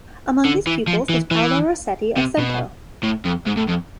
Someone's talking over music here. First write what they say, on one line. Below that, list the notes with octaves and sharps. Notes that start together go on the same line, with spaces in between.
Among his pupils was Paolo Rossetti of Cento.
D3
E3
F3
E3
E3
C3
B2
A2
F2
G#2
A2
F2